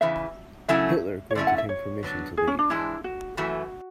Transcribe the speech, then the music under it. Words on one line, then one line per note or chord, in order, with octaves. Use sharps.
Hitler granted him permission to leave.
E2 C#3 E3 E5
C#3 F#3 A3 C#4 E4 E5
C#5
D3 A3 C#4 E4 D5
F#5
E5
C#5
D3 F#3 B3 D4
G#4
C#4
D4
G#2 E3 G#3 D4 E4
F#4
F#2 E3 A3 F#4